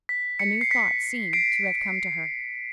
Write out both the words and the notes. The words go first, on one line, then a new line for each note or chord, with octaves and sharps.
A new thought seemed to have come to her.
B6
B6 C#7
C7
B6 C#7
C7 D7